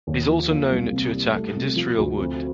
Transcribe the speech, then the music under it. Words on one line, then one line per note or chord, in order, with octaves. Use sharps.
It is also known to attack industrial wood.
D#2
F3
A#3
C2
C3
G3
A3
C3
F3
D2
C4